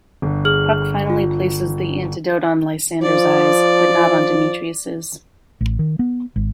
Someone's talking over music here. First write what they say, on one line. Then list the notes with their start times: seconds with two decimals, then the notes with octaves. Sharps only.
Puck finally places the antidote on Lysander's eyes - but not on Demetrius's.
0.22 G1
0.45 G#4 F6 F#7
1.10 F4
3.02 F3 D5
5.61 A1
5.79 D#3
5.99 B3
6.36 G#1